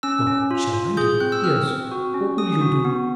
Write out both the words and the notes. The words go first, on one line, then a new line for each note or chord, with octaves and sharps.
"What shall I do?"--"Yes; what will you do?"
C#4 E6
C#4
F4
F4
G#4 G6
C4 F#6
E6
C4 F6
C4
F#4
C#4
C#4 D#6
F#4
B3